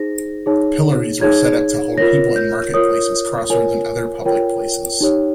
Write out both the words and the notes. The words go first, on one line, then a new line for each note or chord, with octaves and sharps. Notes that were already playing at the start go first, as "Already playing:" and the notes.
Pillories were set up to hold people in marketplaces, crossroads, and other public places.
Already playing: D#4 G#4 C5 A#6
D#4 G#4 C#5
D#4 G#4 C#5 G#6
F4 A#4 C#5 A#6
G6
F4 A#4 C#5 D#6
F4 A#4 C#5 G#5
F4 A#4 C#5 G5
D#4 G4 C#5